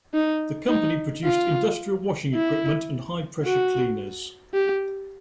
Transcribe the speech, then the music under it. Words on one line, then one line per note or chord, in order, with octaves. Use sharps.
The company produced industrial washing equipment and high pressure cleaners.
D#4
D#4
F4
E4
F#4
G4